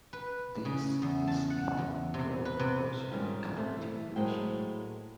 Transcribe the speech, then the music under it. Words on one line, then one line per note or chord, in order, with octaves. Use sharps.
This is in the "proportional counting" region.
B4
C#3
E2
A5
F#5
E2
C3
B4
C3
G#2 D#3 G3 C#4 F4
C3 A3 C5
E3
A2 F#3 G#3 A#3 C5 G5